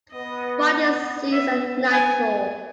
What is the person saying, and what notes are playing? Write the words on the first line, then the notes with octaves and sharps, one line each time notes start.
Fightings ceased at nightfall.
B3 D#5
B3 E5
G#5